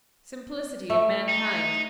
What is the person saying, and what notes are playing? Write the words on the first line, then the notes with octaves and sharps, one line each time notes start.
Simplicity of mankind!
A3
D#4